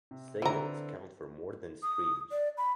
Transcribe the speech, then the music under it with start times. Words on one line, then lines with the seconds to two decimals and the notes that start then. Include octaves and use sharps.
Sales count for more than streams.
0.11 C3
0.42 D3 E3 C4 A#5
1.83 D#6
2.31 D5
2.58 B5